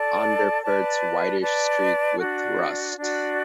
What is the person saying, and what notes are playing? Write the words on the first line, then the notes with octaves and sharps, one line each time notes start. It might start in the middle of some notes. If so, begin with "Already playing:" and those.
Underparts whitish streaked with rust.
Already playing: A4 D5 A5
B4 D5 A5
B4 D5 A5
D4 F#4 D5
D4 F#4 D5